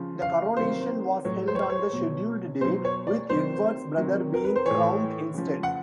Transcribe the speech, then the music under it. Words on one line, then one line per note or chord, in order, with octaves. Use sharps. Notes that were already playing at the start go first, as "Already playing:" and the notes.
The coronation was held on the scheduled day, with Edward's brother being crowned instead.
Already playing: C#3 F3
F5
C3 D#3 F#3 C5
A2 F#3 C#5
C5
C#5
C5
C#5
B2 F#3
B2 F#3 C5
C#5
D5
C3 D#3 F#3 C5
C3 D#3 F#3
A#4
B4
C5
A2 E3 C#5
C#3 F3
F#5